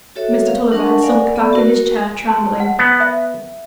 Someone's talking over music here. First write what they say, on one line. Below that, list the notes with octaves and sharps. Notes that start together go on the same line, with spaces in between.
Mr. Tulliver had sunk back in his chair trembling.
F#4 A4 C#5 E5
F5
D4 A#4 F#5 A5 C#6
A#4 D5 F5 F#5 G#5
B3 A4 D5 B5
F#4 A#4
A5 C6
F#5
B3
E5